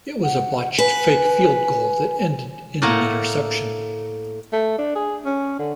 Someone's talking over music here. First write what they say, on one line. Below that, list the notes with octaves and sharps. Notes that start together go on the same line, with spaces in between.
It was a botched fake field goal that ended in an interception.
F#5
B4 G#5
A2 A3 A#3 F#5 A#5
A3
D4
G#4
C#4
D3